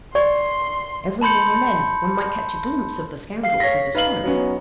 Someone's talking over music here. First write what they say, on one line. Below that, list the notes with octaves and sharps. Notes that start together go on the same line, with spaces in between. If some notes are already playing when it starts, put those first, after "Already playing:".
Every now and then one might catch a glimpse of the scoundrel through the smoke.
D5 C6 C#6
A5 B5 C6 G6 C#7
F5 C7
C#5 A#6 B6
D#4 B4 F5 F#7
F#3 B3 C#4